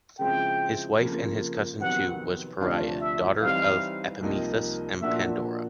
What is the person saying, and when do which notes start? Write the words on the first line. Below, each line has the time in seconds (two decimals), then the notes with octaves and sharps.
His wife, and his cousin too, was Pyrrha, daughter of Epimetheus and Pandora.
0.19 C#3 F3 G#3 C4 E4 G5
1.01 F2 C#3 F3 A#3
1.80 F2 C3 D#3 F#3 B3 F#5
2.61 D2 C3 F3 A3 D4 F5
3.01 E5
3.41 E3 G3 C4 D#4 F5
4.21 C2 C3 F3 A#3 D#4
5.01 A#2 F3 A#3 D4 F#4 E5